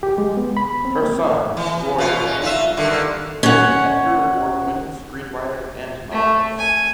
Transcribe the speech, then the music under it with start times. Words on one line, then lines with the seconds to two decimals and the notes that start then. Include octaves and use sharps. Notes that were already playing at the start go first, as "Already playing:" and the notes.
Her son, Roy Johansen, is an Edgar Award-winning screenwriter and novelist.
0.03 G4
0.18 G#3
0.37 B3
0.57 B5
0.85 C4
1.02 A#3
1.57 E3
1.98 B2 F4
2.25 C#4
2.42 D#4 F4 E5
2.77 G2 D3 D#3
3.43 C#4 F#5
6.12 A3
6.58 G#5